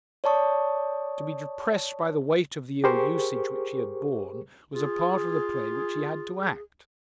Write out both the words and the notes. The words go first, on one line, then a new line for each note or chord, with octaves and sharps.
To be depressed by the weight of the ill-usage which he had borne was a part of the play which he had to act.
C#5 D5 A5 C#6 D#6
G4 G#4 A#4 C5 C#6
F4 G#4